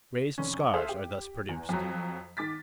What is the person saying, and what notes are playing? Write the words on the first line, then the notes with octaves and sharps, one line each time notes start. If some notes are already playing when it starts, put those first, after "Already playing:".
Raised scars are thus produced.
F1 C#4
G#4 A4 C5 E5 F5
G4
E2
F2 F#3
D#3 D6 A6 B6